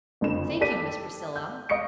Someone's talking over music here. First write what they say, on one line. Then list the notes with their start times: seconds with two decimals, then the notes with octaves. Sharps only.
"Thank you, Miss Priscilla."
0.21 F#1 F2 D3 E7
0.61 G4 A4 D5 B6 D#7
1.36 G6
1.69 D#5 F5 C#6 C#7 D7